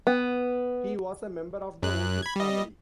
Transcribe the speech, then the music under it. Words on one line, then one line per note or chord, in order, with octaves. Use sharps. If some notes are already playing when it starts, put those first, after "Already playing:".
He was a member of the Otis family.
B3
F#2 F#6
B5 G#6
G3 D#5